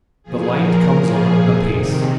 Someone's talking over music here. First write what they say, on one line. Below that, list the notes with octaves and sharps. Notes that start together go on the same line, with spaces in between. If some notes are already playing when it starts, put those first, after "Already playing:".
The light comes on apace.
A#2 F3 G#4
A#4
A#2 F3 G#4
C3 D#3